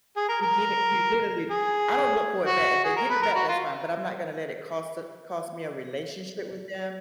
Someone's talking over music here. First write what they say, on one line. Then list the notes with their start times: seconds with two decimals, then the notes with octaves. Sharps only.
you give it, you literally I don't look for it back, if they give it back, that's fine, but I'm not gonna let it cost a cost me a relationship with them
0.16 G#4
0.29 A#4
0.42 A#4
1.50 G#4
2.45 F#4
2.84 G#4
2.96 A#4
3.10 B4
3.22 A#4
3.35 F#4
3.49 F4